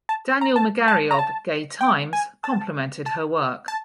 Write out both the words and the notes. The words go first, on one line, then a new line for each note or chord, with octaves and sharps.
Daniel Megarry of "Gay Times" complimented her work.
A5
A#5
A5
A5
A#5
A5
G5
G#5
A5
A5
A5